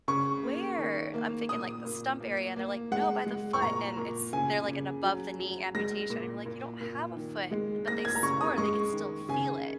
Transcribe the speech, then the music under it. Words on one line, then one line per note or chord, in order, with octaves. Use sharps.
"Where?" I'm thinking, like, the stump area, and they're like, "No, by the foot." And it's they're like an above-the-knee amputation and we're like, "You don't have a foot," but they swore they could still feel it.
C#3 C#6
A#3
D#3
A#3
A#2 D#6
A#2
A#3
A#3
G#3 F#5
G#3
C#6
A#2 A#5
A#2
C#3 G#5
C#3
F#3
F#3
G#3 A#6
A#2
A#2
A#2
D#3
G#3
A#3 A#6
G#6
A#5
C#3 C#6
D#6
G#3 C#6
D#3
C#3 G#5